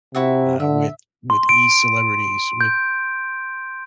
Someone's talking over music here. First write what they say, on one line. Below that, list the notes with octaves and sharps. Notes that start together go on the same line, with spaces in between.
uh, with with e-celebrities, with
C3 E4 F#4 E5
D3 E5
C6
D7
G6